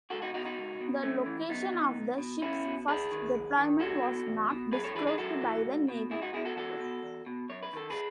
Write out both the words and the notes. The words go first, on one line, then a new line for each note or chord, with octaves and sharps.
The location of the ship's first deployment was not disclosed by the Navy.
C#2 F#4 A4
D#4 F#4
B2 D#4 F#4
D#4 F#4
C#2
B2
F#2 A3 C#4
E3
F#2 B3 D#4
E3
B1
B2
B1 C#4 E4
B2
D#2 G#4 B4
D#3
D#2
D#3
E2 F#4 A4
B2
E2
B2
F#2 G#4 B4
A4 C#5
E3 G#4 B4
G#4 B4
F#2 F#4 A4
E3
C#2
B2
C#2 E4 G#4
D#4 F#4
B2 E4 G#4
F#4 A4
E2 F#4 A4
B2
E2
B2
F#2 C#5
B4
D#3 A4
G#4 B4